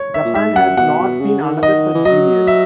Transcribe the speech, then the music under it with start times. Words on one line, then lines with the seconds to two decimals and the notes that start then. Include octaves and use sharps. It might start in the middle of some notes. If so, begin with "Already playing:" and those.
Japan has not seen another such genius.
Already playing: C#5
0.14 E5
0.25 A#2
0.35 G#2 E5
0.56 F#2 F#5
0.77 B2 F#5
0.99 B2
1.20 C#3
1.42 D#3
1.63 D#5
1.95 E3
2.05 F#3 D#5
2.47 E5